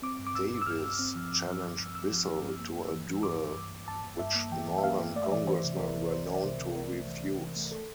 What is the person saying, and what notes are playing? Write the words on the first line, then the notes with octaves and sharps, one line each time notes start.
Davis challenged Bissell to a duel, which Northern Congressmen were known to refuse.
C4 D6
G2
D6
G2 E6
G2
E6
G2 F6
G2
C4
F3
G2
F3
G2
G2
G2 E6
F3
F3
G2
A#3
G2
E3
E3
G2 D6
G2
G2
G2
G2 A5
G2
G2 E5
A#3
E3 G5
G2
E5
A#3 F5
G2
A3 D5
E5
E3 D5
E3 C5
C3
C2 A#4
E3
C2 C5
E3
D5
C3 C5
C3
C2 A#4
A3
E3
C3
E3
A3
A4